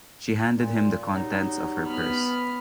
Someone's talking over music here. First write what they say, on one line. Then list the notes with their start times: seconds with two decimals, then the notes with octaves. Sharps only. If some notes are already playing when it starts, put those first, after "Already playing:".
She handed him the contents of her purse.
0.57 A#2
1.13 F#3 G3 D#4
1.86 B3 B5 F6